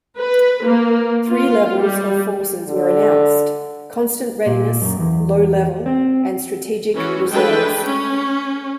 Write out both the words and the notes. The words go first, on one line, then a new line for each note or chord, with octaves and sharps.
Three levels of forces were announced; constant readiness, low-level, and strategic reserves.
B4
A#3
F4
G3
D3
A#2
F#2
E2
C4
E3 C#4 F#4
G#3 A3 D4 A4 B4 G5
C#4